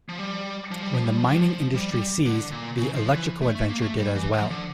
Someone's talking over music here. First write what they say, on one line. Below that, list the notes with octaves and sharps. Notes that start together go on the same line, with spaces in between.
When the mining industry ceased, the "electrical adventure" did as well.
F3
G3
F3
G3
F3
G3
F3
G3
F3
G3
G3
D3
A#2
C#3
F3
E3
A3
A3
A#3
A3
G3
E3
F3
D3